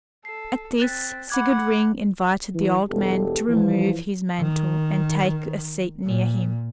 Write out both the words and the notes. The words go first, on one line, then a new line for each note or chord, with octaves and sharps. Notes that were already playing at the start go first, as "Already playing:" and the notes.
At this Sigurd Ring invited the old man to remove his mantle and take a seat near him.
A4 C7
C4 F#6 A6 B6
F#5 B5 D6 G#6
E3
E1 B3 G4 A4
E3 F3
D#3
A#2